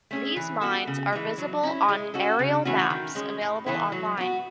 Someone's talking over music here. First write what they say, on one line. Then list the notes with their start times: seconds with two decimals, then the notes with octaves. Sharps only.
These mines are visible on aerial maps available online.
0.11 A3 C#4 G#4
0.36 E3
0.61 B3 F#4 A4
0.87 C#3
1.12 E3 G#3
1.38 F#3
1.63 C#4 E4
1.88 G#3
2.14 C#4 F#4 A4
2.39 C#3
2.65 E3 A3 C#4 F#4
2.90 D#3
3.15 G#3 C#4
3.41 A2
3.66 E3 B3 E4 A4
3.92 F#3
4.17 B3 F#4